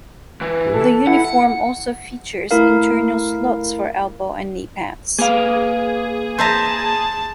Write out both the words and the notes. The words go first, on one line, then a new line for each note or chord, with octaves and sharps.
The uniform also features internal slots for elbow and knee pads.
E3
A4
E4 F#5
C#7
A3 E4 A#4 F5
A#3 G#4 B4 F5
C5 E5 A5 A#5